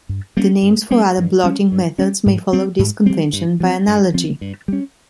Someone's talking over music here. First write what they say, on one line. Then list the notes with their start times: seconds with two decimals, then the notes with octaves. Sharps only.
The names for other blotting methods may follow this convention, by analogy.
0.09 G2
0.37 G3 A#3 C#4
0.63 G2
0.91 G3 A#3 C#4
1.18 G2
1.44 G3 C#4
1.72 G2
1.98 G3 C#4
2.26 G#2
2.53 G3 C4
2.79 G#2
3.06 G3 C4
3.33 G2
3.60 F3 C4
3.88 G2
4.14 F3 C4
4.41 G2
4.68 G3 C#4